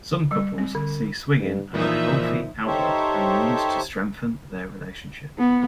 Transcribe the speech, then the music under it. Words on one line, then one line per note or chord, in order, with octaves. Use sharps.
Some couples see swinging as a healthy outlet and means to strengthen their relationship.
G3
C4
D3
G2
A#2 E3 F3 D#4 E5
D#4 G4 A4 C5 C#5 E5
B3